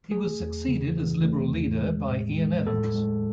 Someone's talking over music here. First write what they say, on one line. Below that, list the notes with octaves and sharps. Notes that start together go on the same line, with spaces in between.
He was succeeded as Liberal leader by Iain Evans.
A3 G#4
E2
C#3
E3
A3
E2
G#3
A2
G#3
A2 A4
G#3